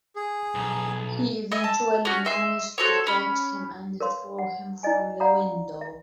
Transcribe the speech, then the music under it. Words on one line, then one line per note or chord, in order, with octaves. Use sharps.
He eventually managed to catch him and throw him from the window.
G#4
B1
D#5 E5 G#5
A5
C#4 F#4
D#5 E5 C6
F#4 A4 C5 C#5
C#4 B5
A#4 B4 C#5 F5 C6
F#5
E4 D5 D#5 G#5
D5 F5 F#5 A#5 B5 D#6
E5